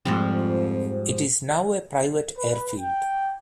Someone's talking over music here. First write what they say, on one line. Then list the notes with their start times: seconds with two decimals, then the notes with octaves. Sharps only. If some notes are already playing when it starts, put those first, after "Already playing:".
It is now a private airfield.
0.05 F2 G#2 F3 G3
2.37 B4
2.79 G5